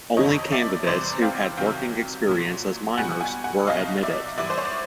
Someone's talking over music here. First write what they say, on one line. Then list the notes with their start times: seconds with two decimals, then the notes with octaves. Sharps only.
Only candidates who had working experience as minors were admitted.
0.17 F2 C3 D#3 C#5 D#5
0.52 D5 E5
0.87 E2 C3 E3 G3 C5 D5
1.22 F5 G5
1.57 C2 C3 D#3 F#3 F5 G5
2.27 C2 A#2 F#3
2.97 C#2 B2 G3 F#5 G#5
3.21 F#5 G#5
3.44 F#5 G#5
3.67 C2 B2 F#3 D#5 F5
4.03 D5 E5
4.38 G#2 E3 G3 D5 E5
4.50 C5
4.58 C#5
4.65 D5